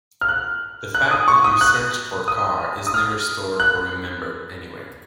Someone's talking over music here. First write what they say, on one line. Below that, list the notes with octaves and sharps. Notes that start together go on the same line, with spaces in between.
The fact that you searched for “car” is never stored or remembered anywhere.
F6
F#6
F#6
D#6
C#6
D#6
F#6
D#6
D#6
F6
F#6